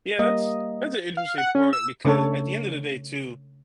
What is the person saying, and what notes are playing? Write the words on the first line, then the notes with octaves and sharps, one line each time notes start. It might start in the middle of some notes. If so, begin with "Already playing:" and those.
Yeah, that's that's an interesting point because at the end of the day too,
G3 A#3 D#5
F5
F#5
C#4
E6
C#3 A3 D4 A4 C#5